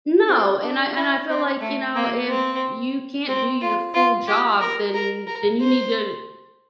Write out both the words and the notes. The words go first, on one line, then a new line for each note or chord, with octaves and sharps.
No, and I and I feel like, you know, "If you can't do your full job, then then you need to,
C4
D4
E4
C4
A3
A#3
C4
C4
F4
F4
G4
A#4
A#4
A#4
C5